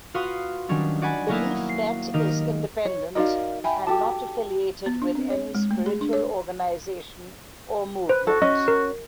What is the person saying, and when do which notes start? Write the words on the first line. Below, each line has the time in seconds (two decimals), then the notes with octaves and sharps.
Beliefnet is independent and not affiliated with any spiritual organization or movement.
0.14 F4 F#4 B4 F5 C6 D#6
0.69 D#3 F#3 G3 C#4 D4
1.01 F#4 D5 F#5 G#5 B5
1.29 F#3 A#3 B3 E4 A#4 D#6
1.69 C7
2.14 D#3 D#4 G4 A#4
2.85 C#5
3.15 D#4 F#4 A#4 D5 D#5 F5
3.64 E5 G5 G#5 B5
3.87 F#4 G4 A4 A5
4.86 B3
5.02 D4
5.15 C4
5.30 C#5
5.55 G#3
5.71 A3
5.86 G#4
6.01 D4
6.13 C#5
8.09 B4 C5
8.27 F#4 A4
8.42 C#4 D#5
8.68 A#4